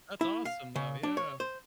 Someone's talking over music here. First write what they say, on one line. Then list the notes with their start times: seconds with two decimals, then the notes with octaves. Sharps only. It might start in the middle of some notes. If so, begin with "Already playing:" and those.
That's awesome, though. Yeah.
0.21 E4
0.45 F5
0.76 C#3
1.03 D4
1.17 C#5
1.40 C5